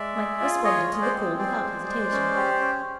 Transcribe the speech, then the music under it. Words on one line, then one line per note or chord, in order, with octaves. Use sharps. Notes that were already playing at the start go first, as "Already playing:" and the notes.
Mike responded to the call without hesitation.
Already playing: G#3 D5 E5
G#4
F4
G#4 C#5 D#5
G#3
C5 D5
C4
G#4 C5 D5
G#3
G#3
C#4
G4
C#4